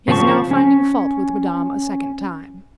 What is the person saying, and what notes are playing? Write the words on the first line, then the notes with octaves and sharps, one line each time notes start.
"He is now finding fault with Madame a second time."
C#3 F3 C4 A5 C#6
C#4